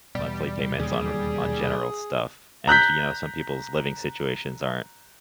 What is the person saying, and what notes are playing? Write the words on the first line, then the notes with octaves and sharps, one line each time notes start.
monthly payments on on general stuff, and, you know, some people's living situations aren't
E2 B2 G3
D#2 C#3 G#4
A#5 F#6 G6 B6